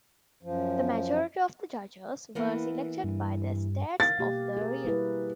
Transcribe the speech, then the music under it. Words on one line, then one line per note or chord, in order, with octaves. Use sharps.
The majority of the judges were selected by the Estates of the realm.
F#2 F3
E3 A#3 B3
G2
F5 A6
B2 A#3 G4
G#4 A#4
G3 E4 B4